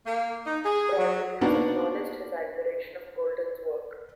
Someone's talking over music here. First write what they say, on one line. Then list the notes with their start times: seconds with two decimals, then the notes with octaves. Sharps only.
Broderick has acknowledged his admiration of Golden's work.
0.06 A#3
0.46 D#4
0.64 G#4
0.98 F#3
1.41 A#3 B3 D4 D#4 F#4 A#4